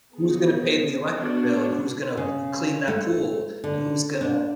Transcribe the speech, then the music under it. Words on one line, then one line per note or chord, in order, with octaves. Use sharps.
who's gonna pay the electric bill, and who's gonna p mm, clean that pool, and who's gonna
B3 G#4
B3 D4 F#4
C#3
A3
D3
D4